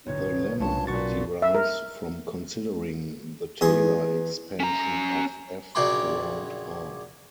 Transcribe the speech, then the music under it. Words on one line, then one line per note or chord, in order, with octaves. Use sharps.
The lemma derives from considering the Taylor expansion of "f" around "r".
B1 A2 D3 C#5
C2 C#4 D4 F4 C#5 A5
B1 A#2 F#4 C#6 A6
E5
A#4
E2 G#4 C6
C#4 A#5
A#1 C#3 F#3 D4 G5 C6